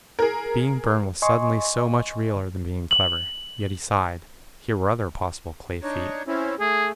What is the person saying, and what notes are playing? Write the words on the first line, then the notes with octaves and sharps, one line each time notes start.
Being Burne was suddenly so much realler than being clever. Yet he sighed... here were other possible clay feet.
G#4 A#4
D#5 G#5 C6 C#6
F#7
D4 D#4 C#5
C4 C#4 E4
A3 G#4